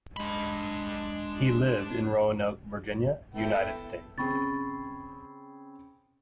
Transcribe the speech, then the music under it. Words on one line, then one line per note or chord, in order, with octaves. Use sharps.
He lived in Roanoke, Virginia, United States.
G#3 D4 B5
B3 E4 A4 G5
C#3 C4 G#4 B5 C#6 A6